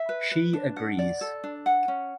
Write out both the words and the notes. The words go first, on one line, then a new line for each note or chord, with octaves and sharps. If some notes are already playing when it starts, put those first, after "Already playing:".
She agrees.
Already playing: E5
B4
B4
D4
F#5
D5
A4
D4
F#5
C#4